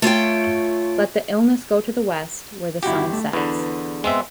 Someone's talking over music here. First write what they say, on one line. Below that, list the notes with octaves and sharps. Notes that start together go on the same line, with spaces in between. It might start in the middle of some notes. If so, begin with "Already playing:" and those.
Let the illness go to the west, where the sun sets.
A3 F4 C#5 G5
G1 E4 F#4 G4
A3
E2 D3 B4
G#3 B3 C4 E5